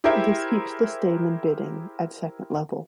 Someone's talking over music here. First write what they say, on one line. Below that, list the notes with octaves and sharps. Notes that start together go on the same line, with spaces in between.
This keeps the Stayman bidding at second level.
E4 G4 G#4 A#4 C5 E5